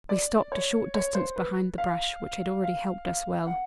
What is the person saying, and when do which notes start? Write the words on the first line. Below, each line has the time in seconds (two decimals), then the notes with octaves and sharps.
We stopped a short distance behind the brush, which had already helped us well.
0.09 D5
0.52 C#5
0.94 C#5
1.15 C5
1.36 B4
1.78 F5
2.64 F5
3.05 F5
3.47 F#5